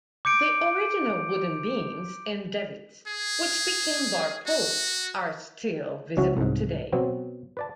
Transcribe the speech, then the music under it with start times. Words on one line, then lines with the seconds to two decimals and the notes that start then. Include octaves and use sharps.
The original wooden beams and davitts, which became bar posts, are still visible today.
0.25 D6 G6 C#7 D7
3.07 G#4
4.46 F#4
6.17 C#2 F#3 C#4 E4 F#4
6.37 C2 G#2
6.93 B2 F#3 B3 C4
7.57 B4 D5 A5